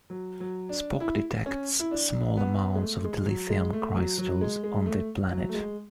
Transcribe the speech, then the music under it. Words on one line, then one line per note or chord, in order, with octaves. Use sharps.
Spock detects small amounts of dilithium crystals on the planet.
F#3
F#3
D4
E4
C#4
E4
D4
B3
G#3
A3
G#3
F#3
G#3
A3
F#3
F#3
G#3
G#3
A3
F#3
A3
G#3